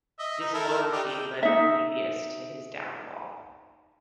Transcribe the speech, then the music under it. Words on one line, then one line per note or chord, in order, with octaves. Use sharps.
Disloyalty led Polybius to his downfall.
D#5 E5
D#4
E4 A4 A#4
D4 D#4 G4
G5
D#4 E5